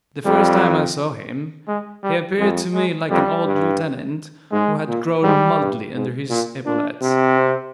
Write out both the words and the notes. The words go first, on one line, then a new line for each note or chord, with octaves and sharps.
The first time I saw him he appeared to me like an old lieutenant who had grown mouldy under his epaulets.
F2 G3
G#3
G3
F2 G#3
G#3
F2 G3
G2
G#2 G#3
A#2
G#2 G3
G2
G#2
A#2
A#2 D4
C3
C4